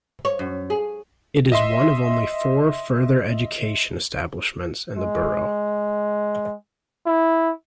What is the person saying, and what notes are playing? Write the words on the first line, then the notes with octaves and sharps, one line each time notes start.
It is one of only four further education establishments in the borough.
C#5
F#2
G#4
D#5 E5 C6
G#3
E4